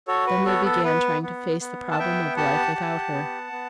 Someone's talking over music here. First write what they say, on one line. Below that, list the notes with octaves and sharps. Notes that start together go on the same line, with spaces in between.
Then they began trying to face the problem of life without her.
F#4 A4 C#5
B4
B3 A4 C#5
A4
B3 B4
B3
B3
A5
B3 E5 G5
G4 F#5 A5
G4
B3
B3